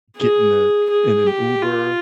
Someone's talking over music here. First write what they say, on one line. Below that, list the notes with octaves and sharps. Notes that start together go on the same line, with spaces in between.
get in the in an Uber,
G#4
G#4
G4
F4